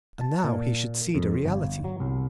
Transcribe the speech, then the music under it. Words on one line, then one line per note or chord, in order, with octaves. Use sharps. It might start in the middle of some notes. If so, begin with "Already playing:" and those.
And now he should see the reality.
A5
A#2
F2
G1
F#3
C2